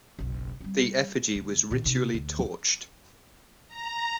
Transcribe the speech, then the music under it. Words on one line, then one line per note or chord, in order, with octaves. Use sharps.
The effigy was ritually torched.
F#1 B1
G3 C4
D2
A#2 D#3
C3 D#4
D2
A#5